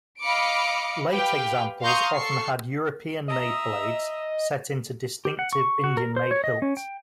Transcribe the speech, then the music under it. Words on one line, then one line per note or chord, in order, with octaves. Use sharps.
Late examples often had European-made blades, set into distinctive Indian-made hilts.
D#5 F5 B5 D6 C#7 D7
G4 B4 F5 G5
F5 A#5 C6 C#6 D#6 G6
A4 C#6 C7
D#5 E5 A#5 E6
G4
F#5
C#6
F#4
A#4
C5
C#5
D#5
C#4
G5